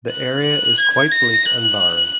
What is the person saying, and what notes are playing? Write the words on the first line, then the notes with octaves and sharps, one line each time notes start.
The area is quite bleak and barren.
F#6
F#6
G#6
A#6
F#6